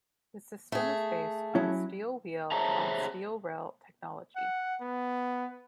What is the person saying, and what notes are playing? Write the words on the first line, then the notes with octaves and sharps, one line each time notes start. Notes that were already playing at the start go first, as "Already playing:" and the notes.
The system is based on steel wheel on steel rail technology.
A3 G#4
F#3 C#4 E4
G#4 C5 C#5 E5 A5 A#5
F#5
B3